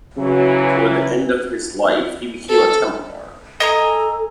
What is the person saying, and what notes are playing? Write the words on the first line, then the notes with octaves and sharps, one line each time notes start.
Toward the end of his life he became a Templar.
C#3 E3 F#3
A4
A4 D#5 G#5 A#5